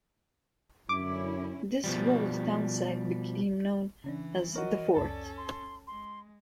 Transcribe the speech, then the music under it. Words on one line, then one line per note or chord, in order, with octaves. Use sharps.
This walled townsite became known as "the Fort".
F#2 D3 C#4 E4 D6
B2 F3 G3
C#3 E3 C#4 D4
F#4 A#4 C#5 D#5
C#2 F#2 C#4 A4 D5 A5
C6
G#3 C6